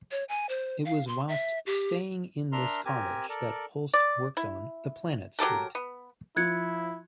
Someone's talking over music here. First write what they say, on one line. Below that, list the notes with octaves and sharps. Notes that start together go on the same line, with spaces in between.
It was whilst staying in this cottage that Holst worked on "The Planets" suite.
C#5
G#5
C5
F5
C6
E5
G4
D4 A#4 E5 A#5 C6 F6
C4 G4 A#4 G#5
A4 A#4 D5
D5
E4
F#3 G4 A4 A#4
B3
F3 E4 F#6 G#6 C#7